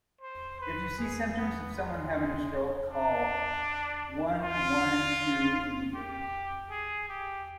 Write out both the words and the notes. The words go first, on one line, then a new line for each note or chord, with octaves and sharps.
If you see symptoms of someone having a stroke call one-one-two immediately.
C5
B4
G#4
B3
G#3
D4
F4
G4
G#4
G4